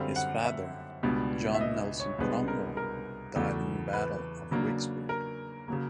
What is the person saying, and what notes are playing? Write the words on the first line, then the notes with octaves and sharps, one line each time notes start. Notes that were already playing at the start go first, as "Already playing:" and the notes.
His father, John Nelson Cromwell, died in the Battle of Vicksburg.
Already playing: F#2 D3 G3 C4 F5
F#5
E5
C#2 B2 G3 B3 D4
E5
D#5
C#5
C2 B2 G#3 B3 D4 B4
A#4
A#4
E2 C#3 F#3 A3
B4
C#3 F#3 A#3 D4
A#4
C#3 F#3 A#3